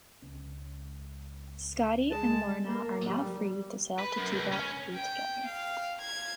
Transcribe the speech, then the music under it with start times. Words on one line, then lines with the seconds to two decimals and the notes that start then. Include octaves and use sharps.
Scotty and Lorna are now free to sail to Cuba and be together.
0.22 C#2 C#4
2.11 G#3 A5
2.65 A#3
3.04 G3
3.98 B4
4.17 F#2
4.32 C#2
4.52 C#4
4.94 G5
5.45 F5
6.01 G#6